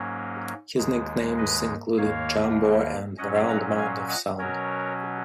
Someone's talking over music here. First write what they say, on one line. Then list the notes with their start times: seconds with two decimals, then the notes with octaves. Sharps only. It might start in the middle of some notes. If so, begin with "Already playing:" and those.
His nicknames included "Jumbo" and "The Round Mound of Sound".
Already playing: G#2 F#3 A#3 C#4
0.77 D#2 D#3 G#3
1.38 B4 D#5
1.98 D#2 D#3 A#3 C#5 F5
3.18 A#2 F#3 C#4 D#5 F#5
3.49 F#5 A#5
3.78 F5 G#5
4.09 D#5 F#5
4.39 B2 F#3 C#4 A#4 C#5